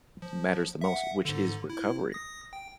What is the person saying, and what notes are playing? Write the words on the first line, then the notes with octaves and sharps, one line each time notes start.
matters the most, which is recovery.
F3
E5 F#5
G#2 D3
E4
D#6 A#6
G5